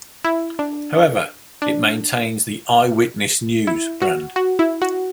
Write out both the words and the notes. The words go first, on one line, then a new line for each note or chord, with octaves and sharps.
However, it maintains the "Eyewitness News" brand.
E4
D4
D4
E4
F#4
F#4
E4
F#4